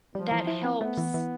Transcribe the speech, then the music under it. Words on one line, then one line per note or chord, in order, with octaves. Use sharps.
that helps,
F3 G3
E3
E4
C4
A3 B3
E3
E3